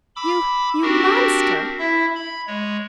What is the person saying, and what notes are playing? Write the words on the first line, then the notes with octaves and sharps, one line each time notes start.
"You--you monster!"
B5 D6 E6
C4 D4 F#4 G4 A#4
E4 E5
B5
G#3 C#5